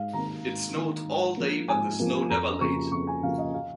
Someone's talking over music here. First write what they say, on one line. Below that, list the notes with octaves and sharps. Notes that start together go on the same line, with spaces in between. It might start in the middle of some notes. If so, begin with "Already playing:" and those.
It snowed all day but the snow never laid.
Already playing: G#2 F5
D#3 A#3 A#5
G#2
D#3 A#3
G#2
F3 A#3
G#2 G#5
F3 A#3
F2 A#5
C#3 F3 A#3 C#6
F2 C#6
G#5
C#3 F3 A#3 F5
D#5
F5